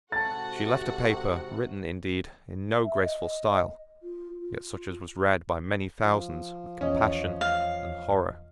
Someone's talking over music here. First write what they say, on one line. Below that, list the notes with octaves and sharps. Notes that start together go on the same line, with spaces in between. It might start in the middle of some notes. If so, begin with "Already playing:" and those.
She left a paper written, indeed, in no graceful style, yet such as was read by many thousands with compassion and horror.
G#2 C3 F#4 A4 F#5 A5 A6
E5
D#5
F4
F4
F3
E2 C#4 D#5
F5